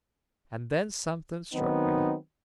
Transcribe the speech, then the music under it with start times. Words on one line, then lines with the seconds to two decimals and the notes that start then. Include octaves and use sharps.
And then something struck me.
1.53 D#3 F#3 B3 C4 D#4